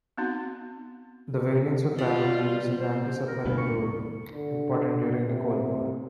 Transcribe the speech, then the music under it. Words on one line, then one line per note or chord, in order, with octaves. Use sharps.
The "Valiant"s were primarily used in the anti-submarine role, important during the Cold War.
B3 C4 D#4 F#4
G3 F4
C5
A#4
D2 G2 A#2 E4
C#6
D3
C3